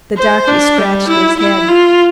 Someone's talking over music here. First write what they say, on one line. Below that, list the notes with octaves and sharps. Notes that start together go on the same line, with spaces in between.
The darky scratched his head.
C5
D4
G3
E4
E4
F4